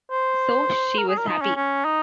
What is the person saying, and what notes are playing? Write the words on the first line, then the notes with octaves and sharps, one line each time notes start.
So she was happy.
C5
A#4
G#4
A#4
D#4
C#4
C#4
D#4